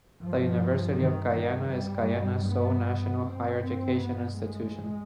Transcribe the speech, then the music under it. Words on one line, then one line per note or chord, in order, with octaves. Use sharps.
The University of Guyana is Guyana's sole national higher education institution.
G2 F3
D#3
D#3
G2 G3
B3
G2 C4
C4
B3
G#3